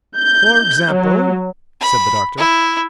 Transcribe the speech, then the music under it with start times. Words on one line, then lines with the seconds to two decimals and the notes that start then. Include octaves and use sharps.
"For example?" said the Doctor.
0.17 G6
0.92 F#3
1.81 B5
2.38 E4